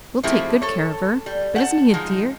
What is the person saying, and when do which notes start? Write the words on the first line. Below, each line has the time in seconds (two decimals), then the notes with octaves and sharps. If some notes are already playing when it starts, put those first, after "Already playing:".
We'll take good care of her. But isn't he a dear?
0.23 F3 G#3 A3 C4 E4 G4
0.62 A4 C#5
1.26 G3
1.56 F#5 G5 A5
1.94 F3 G#3 D#4